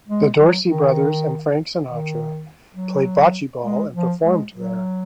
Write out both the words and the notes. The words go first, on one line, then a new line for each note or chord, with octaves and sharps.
The Dorsey Brothers and Frank Sinatra played bocce ball and performed there.
G#3
F#3
D#3
D#3
F#3
G#3
F3
G#3
F#3